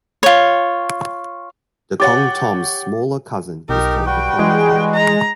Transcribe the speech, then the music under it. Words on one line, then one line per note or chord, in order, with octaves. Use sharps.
The "kong thom"'s smaller cousin is called kong toch.
F4 C#5
G4 C#5 F#5 D6 A6
B1 D#4 G4 A#4
G3 F#4 B4 G5
E3 G#3
A#5